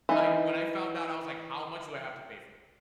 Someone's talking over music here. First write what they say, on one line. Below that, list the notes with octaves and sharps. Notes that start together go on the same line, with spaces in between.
I when I found out, I was like, "How much do I have to pay for this?"
E3 D#4